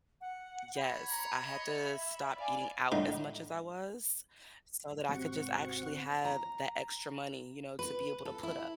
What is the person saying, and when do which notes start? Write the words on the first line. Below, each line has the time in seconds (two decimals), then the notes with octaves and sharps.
Yes, I had to stop eating out as much as I was. So that I could just actually have that extra money, you know, to be able to put up.
0.21 F#5
0.77 C#5 B5
1.10 A#5
1.46 D#5
1.83 E5 B5
2.36 D5 F5 G#5
2.92 A2 D3 D#4
5.09 G#1 C3 C4 F#4 F#5 C#6
6.25 A#5
7.79 B4
8.25 A4
8.43 E4